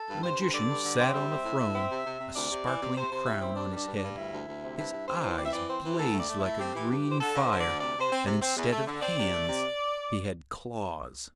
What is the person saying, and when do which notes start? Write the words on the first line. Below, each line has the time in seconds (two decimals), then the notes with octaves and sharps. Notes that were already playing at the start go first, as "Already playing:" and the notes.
The Magician sat on a throne, a sparkling crown on his head; his eyes blazed like a green fire, and instead of hands he had claws.
Already playing: A4
0.09 G2
0.24 G2 C5
0.38 G2
0.54 D3 D5
0.69 G2
0.84 D3
0.99 C4
1.14 G3 E5
1.30 C4
1.44 A2
1.60 A2
1.75 C4
1.90 C3
2.06 C3
2.20 C3
2.35 D2 D5
2.51 C3
2.65 E3
2.81 C3
2.96 C3 C5
3.11 C3
3.26 G3 E4
3.41 C4
3.56 G2 D4
3.72 G3
3.77 D4
3.87 G2
3.97 D4
4.02 G2
4.17 D2 E4
4.33 D2
4.47 D2
4.63 C3
4.78 G2 E4
4.93 G2
5.08 C4 C5
5.23 E3
5.38 C4 D5
5.46 E5
5.53 E3 D5
5.68 C4 C5
5.84 E3
5.93 G4
5.99 D2 A4
6.14 A3
6.19 D5
6.29 A3
6.40 E4
6.45 A3
6.60 C4 G4
6.74 E3
6.90 G2
7.06 E3
7.11 C5
7.20 D3 A4
7.35 D3 C5
7.50 D3
7.61 D5
7.66 D2
7.81 C3 D5
7.96 C3 C5
8.11 C4
8.26 C3
8.41 C4
8.57 E2
8.72 A3
8.87 D3
9.02 C4 D5
9.17 C3
9.32 A3
9.48 C3